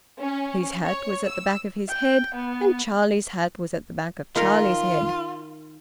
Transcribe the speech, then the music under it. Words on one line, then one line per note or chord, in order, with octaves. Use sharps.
His hat was at the back of his head, and Charlie's hat was at the back of Charlie's head.
C#4
C#5
E6
G5
B3
D#3 F4 A#4